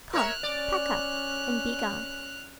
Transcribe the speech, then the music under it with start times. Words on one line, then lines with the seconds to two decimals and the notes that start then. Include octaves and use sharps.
Come! pack up; and begone.
0.13 A#4 C#5 E5 F6 F#6
0.43 C#4 D5